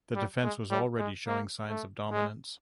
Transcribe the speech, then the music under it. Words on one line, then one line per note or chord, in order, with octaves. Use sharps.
The defense was already showing signs of dominance.
G3
G#3
G3
G#3
A#3
A3
G#3